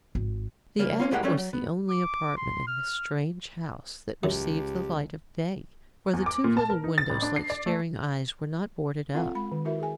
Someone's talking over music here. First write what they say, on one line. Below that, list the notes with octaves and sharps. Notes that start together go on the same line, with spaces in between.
The attic was the only apartment in this strange house that received the light of day, for the two little windows like staring eyes were not boarded up.
G#1
C#3 G3 A#3
A#3 C4 C#4 F4
C2 A2 G#3 A#3 G4 F#5
F3 G3 A3 C#4 D4
F#3
B3
D6
C6
F6
C#2 F#2 G4
E2
D6
A#2
A5
A#4
D#4
A6
A1
D4
C7
D5
A3
C4 F4 A4 F5 F#5 A#5
G#3 B5
D#3
E4 F#4 A#4 E5
G#4 G#5